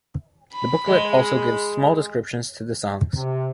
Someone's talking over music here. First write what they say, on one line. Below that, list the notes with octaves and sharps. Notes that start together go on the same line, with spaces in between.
The booklet also gives small descriptions to the songs.
B5
G#3
C3